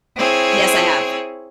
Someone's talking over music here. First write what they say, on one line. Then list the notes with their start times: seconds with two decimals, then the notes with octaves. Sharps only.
Yes, I have.
0.16 C4 E4 G#4 C#5